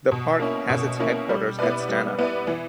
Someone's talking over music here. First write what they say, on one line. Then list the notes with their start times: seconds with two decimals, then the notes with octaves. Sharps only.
The park has its headquarters at Stanah.
0.11 B2
0.40 A#3 C#4 E4
0.69 B2
0.99 A#3 C#4 E4
1.29 G3
1.59 B3 E4 B4 D5
1.89 G3
2.19 B3 E4 B4 D5
2.47 E3